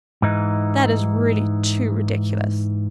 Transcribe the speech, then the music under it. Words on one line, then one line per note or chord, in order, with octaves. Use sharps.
That is really too ridiculous!
G#2 E3 D#4